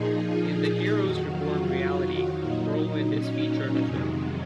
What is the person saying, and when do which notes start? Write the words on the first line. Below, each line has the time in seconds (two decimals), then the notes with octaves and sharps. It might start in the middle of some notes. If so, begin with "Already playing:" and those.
In the "Heroes Reborn" reality, Whirlwind is featured as well.
Already playing: A#2 F3 D#4 G#4
0.26 F4
0.98 F2 D#3 F#3 F#4
1.33 F4
2.41 A#2 F#3 D#4
2.77 D#4
3.12 C#4
3.84 F2 C3 D#3 F#3 G#3